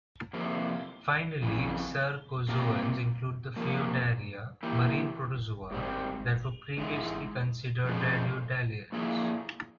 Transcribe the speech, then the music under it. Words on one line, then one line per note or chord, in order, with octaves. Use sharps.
Finally, cercozoans include the Phaeodarea, marine protozoa that were previously considered radiolarians.
F2 C3 F3 A#3 E4
F2 C#3 E3
C3 G3 A#3 F4 A#4
C3 F3 A#3
E3 A#3 E4 G4
G#2 G3 C4
G#2 E3 G#3
F2 C#3 F3 G#3
A#2 F3 A#3 E4 G#4